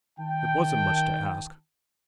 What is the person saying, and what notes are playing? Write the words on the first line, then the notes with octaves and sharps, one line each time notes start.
It wasn't much to ask.
D#3 G5 A5